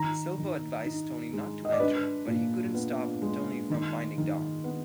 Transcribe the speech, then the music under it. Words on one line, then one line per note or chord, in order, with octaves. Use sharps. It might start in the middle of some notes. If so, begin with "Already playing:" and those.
Silvio advised Tony not to enter, but he couldn't stop Tony from finding Dom.
Already playing: D#3 A#5
D#3
D#4
G#3
D#5
D5
D4 B4
A#2
B3
G#3
D#3
D#3
B3